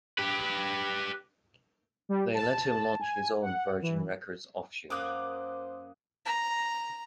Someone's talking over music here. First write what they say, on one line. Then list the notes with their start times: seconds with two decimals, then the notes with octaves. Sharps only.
They let him launch his own Virgin Records offshoot.
0.18 G4 B4
2.09 G3
2.34 A5
3.00 G#5
3.42 F#5
3.82 E3
4.90 F#2 A#3 C5 F5 D6 D#6 F#6
6.26 A#5